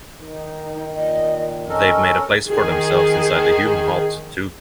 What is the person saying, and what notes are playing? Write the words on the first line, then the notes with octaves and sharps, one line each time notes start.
They’ve made a place for themselves inside the human heart, too.
D#3 D#4
A#2 D#5
C#4 A4 A#4 D#5
D#3 G#4